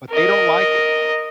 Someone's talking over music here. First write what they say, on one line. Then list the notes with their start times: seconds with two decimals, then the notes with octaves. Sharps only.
But, they don't like it,
0.11 A#4 D#5